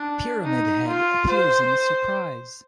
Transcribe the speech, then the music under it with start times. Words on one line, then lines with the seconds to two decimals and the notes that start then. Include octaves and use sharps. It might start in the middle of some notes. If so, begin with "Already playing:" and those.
Pyramid Head appears in the Surprise!
Already playing: D4
0.44 D#4
0.87 F4
1.30 C5